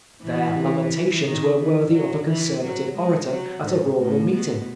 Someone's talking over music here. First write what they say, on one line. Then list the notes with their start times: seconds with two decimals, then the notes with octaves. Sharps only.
Their lamentations were worthy of a Conservative orator at a rural meeting.
0.22 E3
1.25 D#3
1.59 E3
1.93 F#3
2.28 E3
2.62 F#3
2.96 G#3
3.29 F#3
3.64 G#2
3.98 A2
4.32 B2